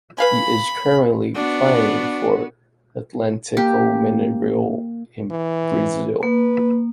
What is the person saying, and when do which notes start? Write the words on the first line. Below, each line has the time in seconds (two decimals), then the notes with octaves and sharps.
He is currently playing for Atletico Mineiro in Brazil.
0.18 B4 F5 G#5 B5
1.35 B3 D4 F#4
3.57 A#3 G4
5.31 E3
6.23 A#3 B4